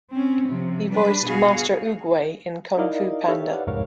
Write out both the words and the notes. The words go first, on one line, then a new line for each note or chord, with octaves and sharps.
He voiced Master Oogway in "Kung Fu Panda".
C4 C#4
C3 F3
G3 D4 B4
B2 F#4 G#4 F5
D#4 E4 A#4 D5 D#5 F5
D#4 G4 A4 C#5 E5 F5
B4 D5 F5 F#5
C2 F2 G#2 A#4 C#5 F5